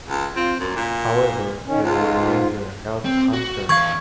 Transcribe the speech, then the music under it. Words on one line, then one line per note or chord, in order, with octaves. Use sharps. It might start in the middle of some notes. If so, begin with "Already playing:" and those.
However, there were major health concerns.
C#2
C4 F4
F#2 A#3
A#2
D#3 C#4
C#2 G#2 F4
C4
F#4
E2 F5 C#6 G#6